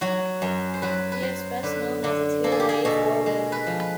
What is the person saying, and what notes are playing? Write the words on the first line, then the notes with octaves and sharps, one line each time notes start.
He is best known as a two-way forward.
F#3 F#4
F#2
C5
F#3 B4
B4
F#3 C5
D3 B4
D3
A#3 A4
G#4
G4
G#4
B2 A4
G#3
B4
F3
B4